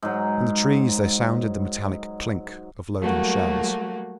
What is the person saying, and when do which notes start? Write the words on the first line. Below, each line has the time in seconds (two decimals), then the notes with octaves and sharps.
In the trees there sounded the metallic clink of loading shells.
0.03 G#2 F#3
3.00 F#3 G3 A3 A#3 F#4